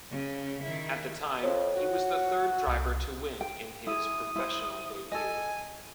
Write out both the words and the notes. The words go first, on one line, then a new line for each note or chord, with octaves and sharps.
At the time, he was the third driver to win in his Professional debut.
C#3
D#3 E4
F2 C#5
F#4
C2
G5
E4 G#4 D#6
E4 C5
A4 D#5 G#5